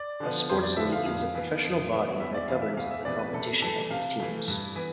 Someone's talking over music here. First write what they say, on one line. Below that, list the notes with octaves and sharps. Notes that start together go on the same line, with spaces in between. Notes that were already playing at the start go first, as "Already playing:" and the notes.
A sports league is a professional body that governs the competition of its teams.
Already playing: D5
D3 F3 B3
F2 C5
D5
D3 F3 B3 E5
F5
F2 F5
E3 B3
F2
E3 B3
E2 E5
D5
C3 E3 B3 F5
E5
E2 F5
E5
C3 E3 B3 D5
B4
C3 A4
E3 A3 A4
C3 F5
E3 A3
G2
E3 B3